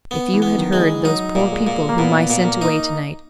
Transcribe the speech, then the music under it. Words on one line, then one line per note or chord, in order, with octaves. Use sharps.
If you had heard those poor people whom I sent away tonight!
B3
E3
B3
D#3
F#3 G#3
E3
F#3 D#4
A#2
G#3
A#2
A#3
A#2 B3
A#2
A#3
D#4